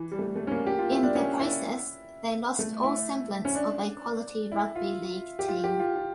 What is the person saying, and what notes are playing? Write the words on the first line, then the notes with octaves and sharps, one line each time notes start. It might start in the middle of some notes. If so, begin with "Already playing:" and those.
In the process they lost all semblance of a quality rugby league team.
Already playing: E3
G3
A3
A3
C#4
A#3
G4
F4
E4
D4
C#4
E4
A3
E4
C#4
D4
E4
F4
G4
F4
G4
F4
F4